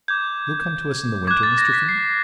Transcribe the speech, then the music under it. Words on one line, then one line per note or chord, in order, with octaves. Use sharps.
"You'll come to us in the winter, Mr. Finn?"
D6 G6 G#6
D6 F#6 G#6
A6
A#6
B6
C7